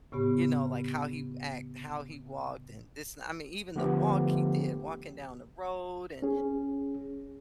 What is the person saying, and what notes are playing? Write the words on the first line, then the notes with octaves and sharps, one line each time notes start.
you know, like, how he act, how he walked, and this I mean, even the walk he did, walking down the road and
A2 C#3 B3 G4
D3 F3 A3 B3 G4
C#4 G#4